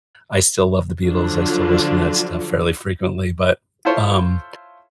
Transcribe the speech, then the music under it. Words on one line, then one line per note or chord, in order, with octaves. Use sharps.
I still love the Beatles, I still listen to that stuff fairly frequently, but, um
D3 F3 F#3 D4 F4
E4 F4 A4 C5 C#5